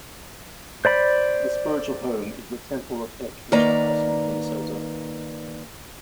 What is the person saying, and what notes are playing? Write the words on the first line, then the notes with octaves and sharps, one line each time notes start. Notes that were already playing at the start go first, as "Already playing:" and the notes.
The spiritual home is the Temple of Eck in Chanhassen, Minnesota.
C5 D5 B5
D#3 A#3 B4 D5 A#5